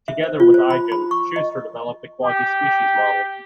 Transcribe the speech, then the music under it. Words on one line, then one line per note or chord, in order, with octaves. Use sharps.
Together with Eigen, Schuster developed the quasispecies model.
E5
C5
F4
C5
B5
B5
C#6
D#5
G4